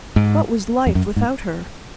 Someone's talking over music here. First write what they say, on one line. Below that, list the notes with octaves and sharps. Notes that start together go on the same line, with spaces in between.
What was life without her?
G#2
F2
F#2
G#2